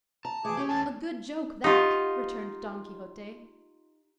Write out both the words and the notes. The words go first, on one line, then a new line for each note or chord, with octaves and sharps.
"A good joke, that!" returned Don Quixote.
A5 A#5
E3 A3 G#4 D6
C#4 G4 C#5
E2 A3 G#5 A5
D#4 F4 G4 F5 F#5